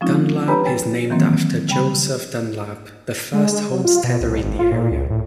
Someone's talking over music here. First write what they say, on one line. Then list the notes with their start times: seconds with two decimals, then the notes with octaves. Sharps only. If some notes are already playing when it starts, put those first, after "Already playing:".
Dunlap is named after Joseph Dunlap, the first homesteader in the area.
0.01 F3 G#3 C4 C#4 D#4 F4
0.48 G4 B4 C#5 G#5 A#5 B5
0.64 C#5 G5 G#5 A6
1.10 D#3 E3 F#3 A#3 C4
1.69 C#3 G3 G5 B5
3.34 G#3
3.52 G#3
3.71 F#3
3.85 F4
4.04 B2
4.21 C2
4.43 G#1
4.59 F4
4.72 A#2
4.91 C#2
5.10 A2